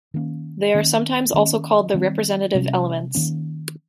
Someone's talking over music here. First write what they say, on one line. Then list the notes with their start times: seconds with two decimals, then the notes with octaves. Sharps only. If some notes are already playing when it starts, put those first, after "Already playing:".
They are sometimes also called the representative elements.
0.14 D#3 A#3 C#4
0.74 D#3 A#3 C#4
1.34 D#3 A#3 C#4
1.94 D#3 G3 C4
2.55 C3 G3 A#3 C#4
3.15 D#3 A#3 C#4